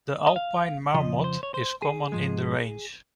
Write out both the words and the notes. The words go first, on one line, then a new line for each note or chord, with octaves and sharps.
The Alpine marmot is common in the range.
D#5
F5
F2 C#3 F3 D#5
C5
C#5
C5
G#4
G#2 F3 G#3